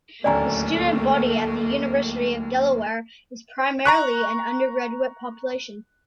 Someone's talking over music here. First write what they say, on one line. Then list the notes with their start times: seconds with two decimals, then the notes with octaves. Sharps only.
The student body at the University of Delaware is primarily an undergraduate population.
0.24 D1 D#2 A3 A#3 C#4 D5 G#5 A#5
3.85 A#5 C#6 F#6